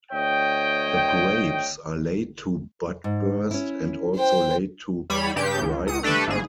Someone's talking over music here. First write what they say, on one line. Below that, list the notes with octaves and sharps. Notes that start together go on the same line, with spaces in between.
The grapes are late to bud burst and also late to ripen.
D2 C#5 D#5 G5
G#2
C#4 E4
C5 G5
E2 G3 C#5 B5
G2 C#3 G4 G6
C#2
C#2 D#6 C#7
A3 D4 G4 A4 B4
G1 G#2 G#4